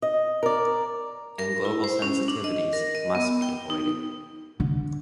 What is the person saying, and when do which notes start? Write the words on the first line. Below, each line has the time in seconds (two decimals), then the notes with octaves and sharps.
And global sensitivities must be avoided.
0.02 D#5
0.43 A#4 D5
1.39 A#4
1.65 E4
1.84 C5
2.02 C#4
2.28 D4
2.44 D#5
2.73 A#4
2.95 D#5
3.15 B3
3.42 G5
3.70 D#4
4.60 D3